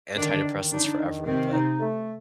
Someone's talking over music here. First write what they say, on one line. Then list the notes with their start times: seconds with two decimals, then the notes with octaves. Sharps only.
antidepressants forever, but,
0.17 D3 D#3 D4
0.44 D#3
0.71 D3 D4 D#4
0.98 D#3
1.25 C3 D#3 C4
1.52 D#4
1.80 A3